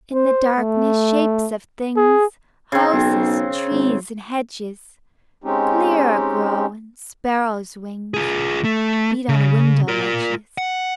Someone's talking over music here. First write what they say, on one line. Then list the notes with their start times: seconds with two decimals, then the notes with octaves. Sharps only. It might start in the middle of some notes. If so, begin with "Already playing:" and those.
In the darkness shapes of things, Houses, trees and hedges, Clearer grow; and sparrow's wings Beat on window ledges.
0.13 C5
0.58 A3
1.97 G#4
2.72 C#3 C4
2.93 B1
3.71 G#1
5.44 G#3 C4 C#4 D#4 G4
8.14 F4 G#4
8.64 A3
9.29 C#3
9.88 F4 A#4
10.58 F#5